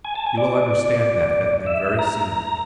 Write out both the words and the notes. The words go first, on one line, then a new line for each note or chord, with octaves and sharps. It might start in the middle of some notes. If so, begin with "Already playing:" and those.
You will understand that, Ethne, very soon.
G#5
A5
G#5
D5
E5
A#5